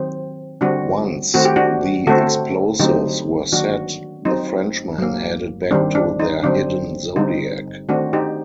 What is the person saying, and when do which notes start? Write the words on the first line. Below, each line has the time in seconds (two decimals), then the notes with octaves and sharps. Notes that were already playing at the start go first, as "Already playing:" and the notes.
Once the explosives were set, the Frenchmen headed back to their hidden Zodiac.
Already playing: D#3 F#3 C4
0.61 D3 G3 C4 D4 F#4
1.34 D#3 A3 C4 F#4
1.45 G4
1.56 D4 F#4
2.07 D3 A3 C4 F#4 A4
2.80 D3 F#3 A3 C4 D#4 G4
3.52 D#3 F#3 A#3 D4 F#4
4.25 F#3 C4 D#4
4.98 F#3 A#3
5.71 D#3 G3 C4 D4
5.95 D4
6.20 D#4
6.44 D3 F#3 C4 D4
7.16 D3 G3 C4 D#4
7.89 D#3 A3 C4 D4 F#4
8.13 D#4 G4